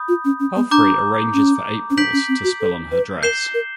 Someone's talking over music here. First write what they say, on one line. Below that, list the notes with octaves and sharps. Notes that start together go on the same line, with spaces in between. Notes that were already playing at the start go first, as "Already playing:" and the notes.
Palfrey arranges for April's to spill on her dress.
Already playing: B5 D#6 G6
F4
C#4
C#4
B3
D4 A#5 D6 G6
C#4
C#4
D4 G6 B6 D7 F#7
C#4
C4
F#4
A4
B4
A#4 G6 C7 E7 G7
A#4